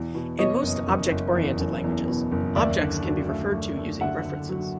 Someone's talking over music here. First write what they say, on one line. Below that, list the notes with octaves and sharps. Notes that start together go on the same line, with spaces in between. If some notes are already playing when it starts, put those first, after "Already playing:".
In most object-oriented languages, objects can be referred to using references.
Already playing: E2 B2
B2
B2 C#5 D#5
F#1
F#1
F#1
E2
F#1
E2
B2
F#1
D#2 D5 E5
D3
F#3
A3
A3
A3
D3 E5 F#5
D3
F#3